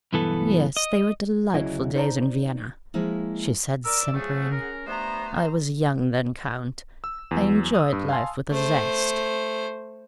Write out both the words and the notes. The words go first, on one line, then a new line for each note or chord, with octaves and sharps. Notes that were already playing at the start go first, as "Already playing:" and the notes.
'Yes, they were delightful days in Vienna,' she said, simpering; 'I was young then, Count; I enjoyed life with a zest.'
B1 G2 E3 B3 A4
D#5
D2 C#3 F#3 E4 D#5
D#4 C5 D5 A5 A#5
F3 G#3 A#3 E4
A#4 D5 E6
F3 F#3 A3 G#4 F#5
C#4 A#4
G2 A3 B3 C5 A#5
E6
E2 F#3
D#6 E6
G2
F5 G#5 A5 C6
A3 C5